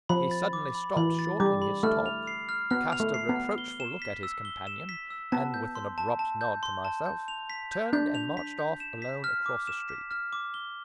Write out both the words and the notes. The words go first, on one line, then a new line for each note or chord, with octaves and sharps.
He suddenly stopped short in his talk, cast a reproachful look at his companion, and, with an abrupt nod to myself, turned and marched off alone across the street.
F3 B5
A6
D6
B5
E3 B5
A6
G3 D6
B5
A3 F6
F7
C7
F6
B3 F6
F7
A3
C7
B3
F6
G7
E7
B6
E6
G7
E7
B6
E6
B3 A5
G6
C6
A5
A5
G6
C6
A5
G6
F7
B6
G6
D4 G6
F7
B6
G6
E7
B6
F6
D6
E7
B6
F6
D6
G7